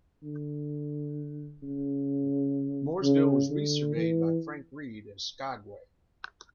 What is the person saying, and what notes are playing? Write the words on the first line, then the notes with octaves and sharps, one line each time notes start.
Mooresville was resurveyed by Frank Reid as Skaguay.
D3
C#3
C#3
D3
E3